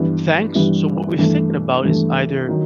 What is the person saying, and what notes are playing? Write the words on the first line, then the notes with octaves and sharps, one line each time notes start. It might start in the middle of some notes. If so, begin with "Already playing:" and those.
"Thanks." So, what we're thinking about is either
Already playing: G2 E3 G3 B3 E4
G2 E3 G3 B3 E4
G2 E3 A3
G2 E3 A3
D#3 F#3